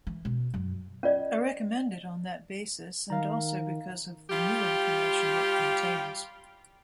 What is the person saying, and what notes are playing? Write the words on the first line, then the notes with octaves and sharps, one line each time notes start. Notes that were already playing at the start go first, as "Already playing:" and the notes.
I recommend it on that basis--and also because of the new information it contains.
E3
B2
F#2
C#4 F4 D5 D#5
D#3 F5 A#5
G3 F4 G4